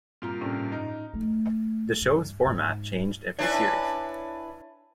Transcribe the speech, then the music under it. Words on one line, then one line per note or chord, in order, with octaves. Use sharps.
The show's format changed every series.
G2 A#2 C4 F4 F5 A#5
A2 C3 C#4 D4
D#4
A3
G2
G#2
D4 E4 B4 C#5 G#5